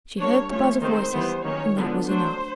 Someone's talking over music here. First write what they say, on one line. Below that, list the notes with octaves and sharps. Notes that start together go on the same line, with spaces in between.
She heard the buzz of voices; and that was enough.
G3 A#3 D4 C#5
F3 A3 C#4 C#5
D#3 G#3 C4 C5
E3 G3 B3
D#3 F#3 A#3 C#4 C#5
D3 F3 G#3 B3 D4
F#3 A3 D4 C5